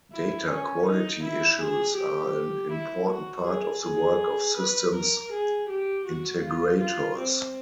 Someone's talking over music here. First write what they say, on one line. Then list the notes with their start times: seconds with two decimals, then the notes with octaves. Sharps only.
Data quality issues are an important part of the work of systems integrators.
0.13 E4
0.50 C#4
0.87 D#4
1.24 E4
1.61 G#4
1.98 G4
2.72 E4
3.09 F#4
3.47 G#4
3.84 G#4
4.57 B4
4.96 A#4
5.33 G#4
5.70 G4
6.07 F#4
6.43 F4
6.80 F4
7.18 C4